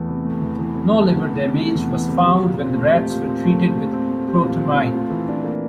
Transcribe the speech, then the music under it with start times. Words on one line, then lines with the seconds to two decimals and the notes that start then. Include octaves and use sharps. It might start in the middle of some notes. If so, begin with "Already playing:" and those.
No liver damage was found when the rats were treated with protamine.
Already playing: E2 E3 A3
0.09 C3
0.25 A3
0.41 E2
0.59 E3
0.75 C3
0.92 A3
1.09 E2
1.25 E3
1.43 C3
1.58 A3
1.75 E2
1.92 E3
2.09 C3
2.26 G4
2.42 A#2
2.59 C4
2.76 A3
2.93 G4
3.10 A#2
3.27 C4
3.44 A3
3.60 G4
3.76 A#2
3.93 C4
4.11 A3
4.27 G4
4.44 A#2
4.61 C4
4.77 A3
4.94 F4
5.10 E3
5.28 D4
5.44 A#3